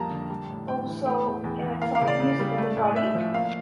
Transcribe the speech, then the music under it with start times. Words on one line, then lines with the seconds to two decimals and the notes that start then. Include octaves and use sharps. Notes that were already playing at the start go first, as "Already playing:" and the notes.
Also ""Electronic music of the body?
Already playing: F2 G3 A#3 A5 A#5
0.11 D3
0.30 G3
0.49 A2
0.68 A2 G5
0.87 E3
1.06 A3 G5
1.25 E2
1.44 E2
1.63 E3
1.82 A#3 F5
1.95 F5
2.01 C#3
2.08 D5
2.20 C#3
2.39 G3
2.58 A3
2.77 A2
2.96 A2 E5
3.15 F3
3.34 A#3 F5